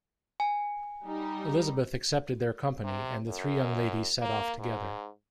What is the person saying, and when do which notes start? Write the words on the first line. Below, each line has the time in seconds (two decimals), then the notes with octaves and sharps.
Elizabeth accepted their company, and the three young ladies set off together.
0.40 G#5
1.06 G3 D#4
2.84 C3
3.28 F#2
4.21 A#3
4.59 G#2